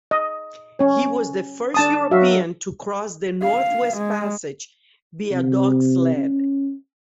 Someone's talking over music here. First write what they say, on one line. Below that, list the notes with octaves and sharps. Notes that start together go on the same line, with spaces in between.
He was the first European to cross the Northwest Passage via dog sled.
D#5
C#4 C#5
D4 A5 D#6
F#3 F#4 E5 F5
F5
G#3
C3
C#4